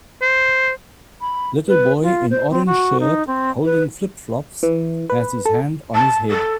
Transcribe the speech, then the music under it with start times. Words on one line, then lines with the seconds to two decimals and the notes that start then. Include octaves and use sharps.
Little boy in orange shirt, holding flipflops has his hand on his head.
0.22 C5
1.21 B5
1.68 B4
2.03 F4
2.31 C5
2.51 C4
2.66 F#4
3.00 D#4
3.27 C4
3.65 B4
4.63 E3
5.10 B4
5.45 A4
5.95 A5
6.30 A4